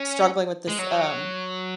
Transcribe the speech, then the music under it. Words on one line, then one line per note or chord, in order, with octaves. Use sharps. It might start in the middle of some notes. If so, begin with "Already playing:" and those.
Struggling with this, um,
Already playing: C#4
G#3
F#3